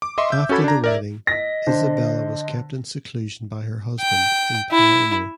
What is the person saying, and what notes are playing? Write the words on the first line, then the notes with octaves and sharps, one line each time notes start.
After the wedding, Isabella was kept in seclusion by her husband, in Palermo.
D6
D#5 E5 C6 C#6
E5 G6
C#4 F#4 A4 B5 G#6
D4 A#5
A#4 D5 E5
D#5 A#6 B6
D3 C5
G5
E4